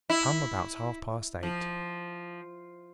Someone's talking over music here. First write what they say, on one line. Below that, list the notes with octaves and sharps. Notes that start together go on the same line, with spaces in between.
Come about half-past eight.
E4
F3